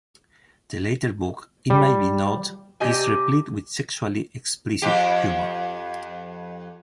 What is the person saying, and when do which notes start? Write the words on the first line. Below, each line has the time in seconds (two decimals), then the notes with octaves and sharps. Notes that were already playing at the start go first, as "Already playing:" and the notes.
The latter book, it may be noted, is replete with sexually-explicit humor.
1.70 G3
2.80 C3 G4 D#5 G#5
4.82 F2 G4